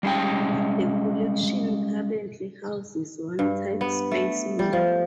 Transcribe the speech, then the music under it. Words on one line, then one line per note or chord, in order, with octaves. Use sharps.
The collection currently houses one type specimen.
G3 G#3 C#4 G5
G2
B3
A3
G3
F3